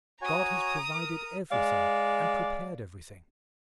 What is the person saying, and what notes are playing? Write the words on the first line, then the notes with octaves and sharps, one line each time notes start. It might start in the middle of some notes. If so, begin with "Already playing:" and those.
God has provided every thing, and prepared every thing.
F#4 C#5 G#5 A#5 D#6
A#4
G#3 D5 F5